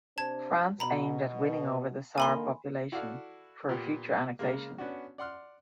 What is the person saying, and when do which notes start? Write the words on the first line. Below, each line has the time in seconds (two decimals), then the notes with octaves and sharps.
France aimed at winning over the Saar population for a future annexation.
0.18 C3 D4 C5 A5 G#6
0.80 B2 A#5 B5
2.18 D3 D#3 A#3 G#5 B5 C6
2.92 E4 F#4 A4 D5 F5
3.69 A#2 A#3 B3 G4
4.39 C#3 G#3 A#3
4.78 B3 C#4 D4 F#4
5.18 D5 F#5 C6 F6